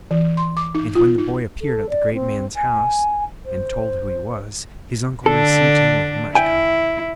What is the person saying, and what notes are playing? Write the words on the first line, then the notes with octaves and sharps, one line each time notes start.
And when the boy appeared at the great man's house and told who he was, his uncle received him with much kindness.
E3
C6
D6
D#4
F4
D#4
A4
D5
C4
G#5
C5
D3 D4 A4
E4 G5 G#5